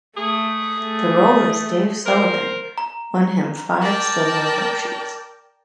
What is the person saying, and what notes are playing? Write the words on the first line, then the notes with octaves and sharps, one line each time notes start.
The role as Dave Sullivan won him five Silver Logies.
A3 G#4
A3
A#4 C5
A#5
A#4 D5 G5 A5